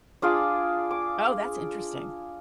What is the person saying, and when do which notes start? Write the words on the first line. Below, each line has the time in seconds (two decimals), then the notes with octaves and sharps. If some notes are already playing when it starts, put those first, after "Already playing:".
Oh, that's interesting.
0.22 D4 F4 G#4 D5
0.91 D6